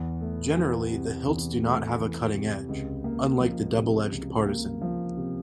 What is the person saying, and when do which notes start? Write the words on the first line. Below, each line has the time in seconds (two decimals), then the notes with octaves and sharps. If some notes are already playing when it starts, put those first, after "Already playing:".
Generally, the hilts do not have a cutting edge, unlike the double-edged partisan.
Already playing: E2
0.21 A3
0.57 E3
0.92 C3
1.28 E2
1.63 A3
1.98 E3
2.34 C3
2.69 C#2
3.04 A#3
3.40 F3
3.75 C3
4.11 C#2
4.46 A#3
4.81 F3
5.17 C3